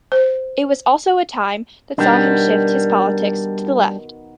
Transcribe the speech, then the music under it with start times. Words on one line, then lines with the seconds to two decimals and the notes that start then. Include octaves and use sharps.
It was also a time that saw him shift his politics to the left.
0.12 C5
1.98 B2 D#3 G3 D4